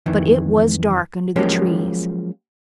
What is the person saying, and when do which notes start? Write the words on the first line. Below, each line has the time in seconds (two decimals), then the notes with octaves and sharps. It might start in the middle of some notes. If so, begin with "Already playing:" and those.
But it was dark under the trees.
0.06 F2 D#3 E3
1.36 F3 F#3 G#3 A#3 C#4 G4